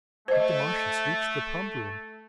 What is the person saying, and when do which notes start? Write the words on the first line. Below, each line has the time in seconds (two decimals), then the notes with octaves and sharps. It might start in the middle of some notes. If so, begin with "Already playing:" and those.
Did the Martian reach the pump room?
0.28 A3 C5 D#5